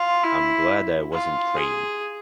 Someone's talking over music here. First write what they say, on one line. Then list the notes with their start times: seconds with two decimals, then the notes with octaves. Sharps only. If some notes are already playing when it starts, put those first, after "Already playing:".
I'm glad I wasn't trained.
Already playing: F4
0.24 E4
1.12 F4
1.56 G#4